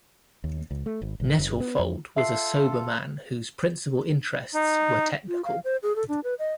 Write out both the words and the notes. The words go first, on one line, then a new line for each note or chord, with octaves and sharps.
Nettlefold was a sober man whose principal interests were technical.
D#2
C#2
A3
G#1
A1
F#1
B3
F2
F4 A4 E5 C7
D#4
F4
F5
C5
G#4
A4
D4
B4
D#5